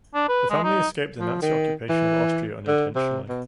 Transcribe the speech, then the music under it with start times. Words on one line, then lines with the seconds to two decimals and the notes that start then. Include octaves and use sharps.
The family escaped the Nazi occupation of Austria unintentionally.
0.14 D4
0.29 B4
0.50 G#3
0.64 D#4
1.20 F3
1.42 D#3
1.89 E3
2.68 D3
2.96 C3
3.29 B2